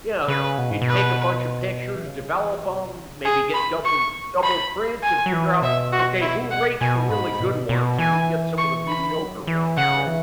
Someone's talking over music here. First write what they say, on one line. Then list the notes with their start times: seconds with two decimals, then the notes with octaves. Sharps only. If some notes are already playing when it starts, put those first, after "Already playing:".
you know, you'd take a bunch of pictures, develop 'em, maybe get double double prints, and figure out, "Okay who rates the really good ones and who gets some of the mediocre ones?" right?
0.28 C#3 B4
0.58 B2
0.71 G#2
0.82 B2
0.89 B4
1.96 E3
2.06 C#3
2.36 E3
2.66 B2
2.96 C#3
3.25 G#4
3.54 B5
3.74 F#3
3.84 E3 C#6
4.43 B5
5.03 F#3 G#5
5.26 F#3
5.33 E3
5.62 B2 E5
5.92 F#4
6.21 E4
6.51 F#5
6.81 B2 G#5
7.10 G#2 B5
7.40 B2
7.69 B2
7.99 E3 G#5
8.58 C#6
8.88 B5
9.18 F#3
9.42 C#3
9.47 E3
9.77 C#3 F#5
10.07 E3